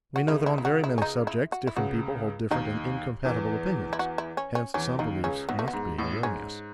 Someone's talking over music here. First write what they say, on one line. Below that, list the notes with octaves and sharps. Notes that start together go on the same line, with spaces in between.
We know that on very many subjects different people hold different and incompatible opinions: hence some beliefs must be erroneous.
F#4
C#2 C#3 E4
E4
E4
F#4
E4
C#4
D#4
E4
F#4
E4
C#2 C#3 F#4
D#2 D#3 D#4
E2 E3
E4
F#4
E4
C#4
C#4
E2 E3 C#4
D#2 D#3 D#4
C#2 C#3 C#4
B1 B2 B3
A3
B3
G#2
A1 A2
G#2 C#4